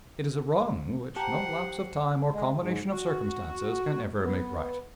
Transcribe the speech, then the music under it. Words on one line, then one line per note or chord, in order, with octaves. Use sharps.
It is a wrong which no lapse of time or combination of circumstances can ever make right.
G4 C5 F#5 A5 A#5
G#3
G#2
F#4
B3